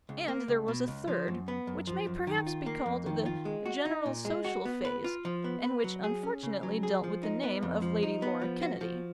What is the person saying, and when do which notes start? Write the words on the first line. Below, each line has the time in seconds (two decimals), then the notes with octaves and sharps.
And there was a third, --which may perhaps be called the general social phase, and which unfortunately dealt with the name of Lady Laura Kennedy.
0.09 C#2
0.28 A#3
0.48 C#2
0.68 B2
0.88 C#2
1.08 F3
1.28 F#2
1.48 B3
1.67 F#2
1.87 F3
2.07 F#2
2.27 D#3
2.47 F4
2.66 A#3
2.86 F2
3.06 D#3
3.26 F4
3.45 G#3
3.65 F#4
3.85 D#4
4.06 A#2
4.25 G#3
4.45 F#4
4.65 B3
4.85 B4
5.04 F4
5.25 F3
5.44 B3
5.64 B4
5.84 F#3
6.04 G#4
6.23 C#4
6.43 C#3
6.63 F#3
6.83 G#4
7.04 F3
7.23 D#4
7.43 B3
7.63 F2
7.82 F3
8.03 D#4
8.22 B3
8.42 F3
8.61 F#4
8.81 F3